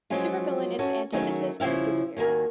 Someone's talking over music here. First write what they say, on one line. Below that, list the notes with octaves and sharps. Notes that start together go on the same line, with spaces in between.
A supervillain is the antithesis of a superhero.
F3 F#3 G#3 C#4 F4
C#4 F#4 A4
D#3 F#3 A3 C#4 D#4 G#4
C#3 F3 G3 E4 F5
D#2 D#3 F#4 A#4 G#5